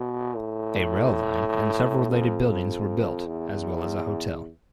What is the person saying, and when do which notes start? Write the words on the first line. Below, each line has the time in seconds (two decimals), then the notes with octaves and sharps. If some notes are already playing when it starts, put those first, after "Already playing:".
A rail line and several related buildings were built as well as a hotel.
Already playing: B2
0.36 A2
2.10 F2
3.27 E2